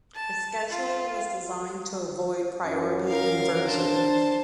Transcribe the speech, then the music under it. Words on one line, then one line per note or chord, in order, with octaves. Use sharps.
The scheduler was designed to avoid priority inversion.
A5
F4
F#2
A#4 F5
D4 C5 A5